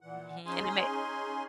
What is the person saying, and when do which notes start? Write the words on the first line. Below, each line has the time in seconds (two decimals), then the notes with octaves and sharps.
Mhm, and it may
0.01 A#2 E3 F#5
0.46 C#4 D#4 G#4 G#5 C6